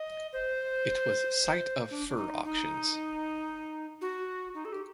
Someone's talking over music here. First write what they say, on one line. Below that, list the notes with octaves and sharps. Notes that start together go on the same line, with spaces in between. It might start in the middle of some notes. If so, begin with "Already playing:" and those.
It was site of fur auctions.
Already playing: D#5
C5
D4
D4
D#4
D#4
F#4
D#4
A4
G4